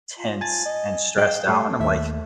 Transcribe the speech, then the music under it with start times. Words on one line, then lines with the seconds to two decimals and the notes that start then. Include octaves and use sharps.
tense and stressed out and I'm like,
0.19 F4
0.41 G#5 A5 A6
0.66 D#5
1.18 G#4 D#5 F5 G5
1.47 G3 A3 C5 C#5
1.80 D#2 E5